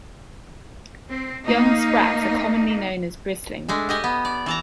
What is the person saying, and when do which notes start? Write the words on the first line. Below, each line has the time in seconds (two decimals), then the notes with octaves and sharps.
Young sprats are commonly known as brisling.
1.10 C4
1.44 A#3 D#4
3.68 G#3 A3 D4
3.89 G4 D#5 G#5
4.04 B3
4.25 D5
4.46 E3 A5 A#5